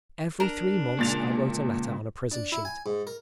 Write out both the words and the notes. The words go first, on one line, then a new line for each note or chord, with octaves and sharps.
Every three months I wrote a letter on a prison sheet.
D4 A#4
C#2 A#2 G#3 A6 F7
D4
E4
G#5
G#2
A#4